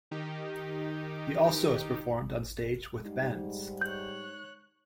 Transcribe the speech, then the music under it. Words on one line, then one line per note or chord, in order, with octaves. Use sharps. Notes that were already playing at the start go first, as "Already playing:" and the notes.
He also has performed on stage with bands.
D#3 D#4 G4
G#2 G3 G#3 D#4
C#5 F#6 G6